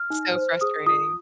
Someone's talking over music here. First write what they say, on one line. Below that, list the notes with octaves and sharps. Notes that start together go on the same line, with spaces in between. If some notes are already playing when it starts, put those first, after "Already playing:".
So frustrating.
Already playing: F6
D#4
C5
G#4 D#6
F4 D#6